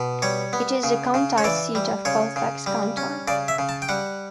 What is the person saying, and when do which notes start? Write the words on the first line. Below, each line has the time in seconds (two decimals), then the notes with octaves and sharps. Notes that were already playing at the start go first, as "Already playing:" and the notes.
It is the county seat of Colfax County.
Already playing: B2
0.22 G3 C#5
0.53 B3
0.83 C#3
1.14 C#3
1.38 C#5
1.44 E3 D5
1.75 G3
2.05 C#3 C#5
2.36 C#3
2.66 G3
2.97 C#4
3.28 C#3 D5
3.48 E5
3.59 C#3
3.69 A5
3.82 G5
3.89 G3 F#5